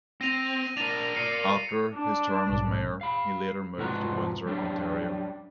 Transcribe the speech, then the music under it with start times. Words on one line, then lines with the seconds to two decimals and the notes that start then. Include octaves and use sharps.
After his term as mayor, he later moved to Windsor, Ontario.
0.21 C4 A#6 D#7 F7
0.77 D4 A#4 A6 D#7 F7
1.15 A#4 D5 C7 C#7 D#7
1.94 D4
2.47 B1 G#2
3.01 F5 B5
3.78 C2 G#2 F3 F#4 B4 A#5
4.46 F#3 G3 D4